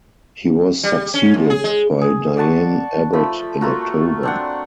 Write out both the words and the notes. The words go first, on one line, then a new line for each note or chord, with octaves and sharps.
He was succeeded by Diane Abbott in October.
G3
C#4
D#2
G#4
G#3
G#4
D5 F#5 A5 C#6
F3 A3 B5
A3 A#3 F4 F#4
C4 D4 F#5